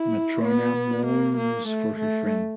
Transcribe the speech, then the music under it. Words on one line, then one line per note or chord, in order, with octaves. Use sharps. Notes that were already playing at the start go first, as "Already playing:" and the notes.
Matrona mourns for her friend.
Already playing: E4
B3
A#3
A#3
A3
A3